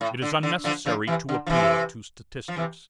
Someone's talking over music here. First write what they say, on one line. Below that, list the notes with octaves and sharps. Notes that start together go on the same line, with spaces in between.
It is unnecessary to appeal to statistics.
A2
D3
D3
D3 F3
D3 F3
C3 E3
D3
F3
C3 E3
F3
C3 E3